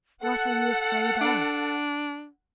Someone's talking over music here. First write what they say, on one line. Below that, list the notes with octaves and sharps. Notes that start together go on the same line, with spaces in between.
"What are you afraid of?"
A4 F#5
D4